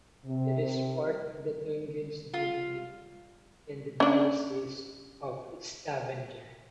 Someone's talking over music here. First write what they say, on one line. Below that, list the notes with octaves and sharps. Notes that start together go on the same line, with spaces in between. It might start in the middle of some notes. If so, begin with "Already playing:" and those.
It is part of the Tungenes deanery in the Diocese of Stavanger.
C3
C3
F4
C#4 D4